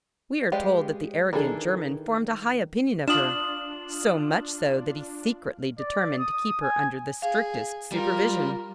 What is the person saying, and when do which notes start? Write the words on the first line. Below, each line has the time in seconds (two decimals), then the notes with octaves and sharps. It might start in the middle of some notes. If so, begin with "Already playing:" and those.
We are told that the arrogant German formed a high opinion of her--so much so that he secretly determined to keep her under the strictest supervision!
0.52 G#3 G4 B4 D5 F5
1.33 D#3 E3 D4 G#4 A4
3.08 D4 F4 D#6 E7 F#7
5.79 D5
6.19 D#6
6.62 G#5
7.22 G#4 F5
7.92 G3 F4 A#4